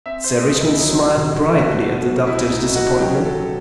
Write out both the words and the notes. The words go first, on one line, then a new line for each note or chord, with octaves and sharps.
Sir Richmond smiled brightly at the doctor's disappointment.
C4 E5
C5
C2 D#5
E4
F#3 D#4
C3
A3 F#4
B2
C2 E4
D#4
B2
F#4
F#3 G4
A4